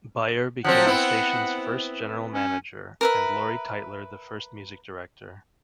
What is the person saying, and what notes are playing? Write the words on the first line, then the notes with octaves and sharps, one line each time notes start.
Baier became the station's first General Manager and Lori Teitler the first Music Director.
F3 F#3 C4 F#5
B3 C4 E4
C#4
A#4 B4 E5